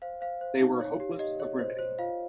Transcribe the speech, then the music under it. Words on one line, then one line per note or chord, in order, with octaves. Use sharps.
They were hopeless of remedy.
C5 F5
C5 F5
C5
D#4
C#5
G4
G4 D#5
C#5
C5
C5
F4 F5